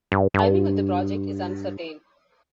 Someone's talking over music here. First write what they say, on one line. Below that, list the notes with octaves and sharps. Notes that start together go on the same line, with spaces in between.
Timing of the project is uncertain.
G2
G2